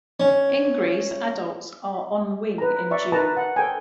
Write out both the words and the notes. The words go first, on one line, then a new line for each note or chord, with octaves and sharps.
In Greece, adults are on wing in June.
C#4
B4 A#5
D5 E5 C#6
A#4 B4 A5 A#5
F#5
A4 G5 G#5